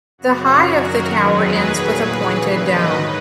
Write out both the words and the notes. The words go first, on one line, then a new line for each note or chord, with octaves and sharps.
The high of the tower ends with a pointed dome.
F#2 C#3 F#3 F#4
F#2 D#3 F#3 F#4 A#4
E2 D#3 F#3 G#4 B4
A#2 F#3
D#2 C#3 E3
G#2 D#3 F#3 B4 D#5